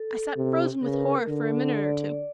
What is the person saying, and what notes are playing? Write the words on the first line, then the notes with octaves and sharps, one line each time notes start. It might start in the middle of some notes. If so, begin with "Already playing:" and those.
I sat frozen with horror for a minute or two.
Already playing: A4
C3
C#3 A#4
B4
A#4
D3
D5